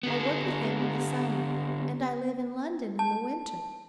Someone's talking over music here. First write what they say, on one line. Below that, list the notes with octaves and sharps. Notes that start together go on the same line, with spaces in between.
I work with him in the summer, and I live in London in the winter.
D3 B3
A5